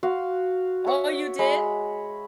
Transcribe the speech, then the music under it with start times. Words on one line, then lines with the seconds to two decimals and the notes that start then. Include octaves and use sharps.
Oh, you did?
0.03 F#4 F5 C6
0.86 C#5 E5
1.39 G#3 B5